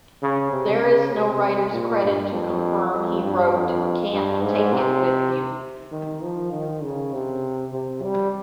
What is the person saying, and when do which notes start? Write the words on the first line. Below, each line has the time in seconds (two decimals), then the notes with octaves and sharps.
There is no writer's credit to confirm he co-wrote "Can't Take It with You".
0.23 C#3
0.52 C3
0.83 C#3
1.12 C3
1.73 A#2
2.03 G2
2.32 F2
2.93 F2
3.22 G2
3.52 F2
4.12 G2
4.43 G#2
4.73 C3
5.92 D#3
6.23 F3
6.52 D#3
6.83 C#3
7.13 C3
7.73 C3
8.02 G3